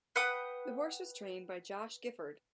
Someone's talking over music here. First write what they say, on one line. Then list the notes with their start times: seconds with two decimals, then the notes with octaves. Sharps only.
The horse was trained by Josh Gifford.
0.16 B4 F#5 G5 D#6